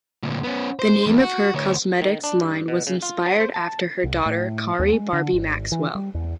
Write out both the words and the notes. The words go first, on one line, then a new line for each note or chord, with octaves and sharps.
The name of her cosmetics line was inspired after her daughter Khari Barbie Maxwell.
D2 A#2
B3 C#4
C5
E2
F#4
D2 C#5
D#3
D4
G2
B2
C#3
F4
F#3
C5
A5
C2
A2
D#2
G#3
D3
G#1
E3
G3
E2